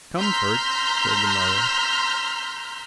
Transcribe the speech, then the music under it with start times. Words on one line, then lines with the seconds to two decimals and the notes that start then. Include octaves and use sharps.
"Comfort!" said the mother.
0.19 A#5 C6 E6 F6 G6 B6